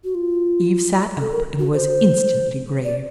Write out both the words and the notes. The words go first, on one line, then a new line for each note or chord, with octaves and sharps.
Eve sat up and was instantly grave.
F#4
F4
A4
A#4
F#4
C5
D5